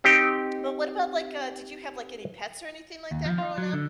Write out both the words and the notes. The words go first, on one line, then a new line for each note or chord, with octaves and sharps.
But what about like, uh did you have like any pets or anything like that growing up?
C4 D#4 G4 G5
D#2
F3
F4
F#3
D3